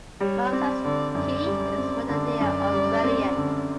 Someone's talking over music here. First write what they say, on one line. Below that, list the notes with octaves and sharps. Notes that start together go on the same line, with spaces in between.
Malceski is a Macedonian Australian.
G3 C#5
C4 D5
D3 D5
F#2 D5
G3
C4
D3 D5
F#2
G3
C4
D3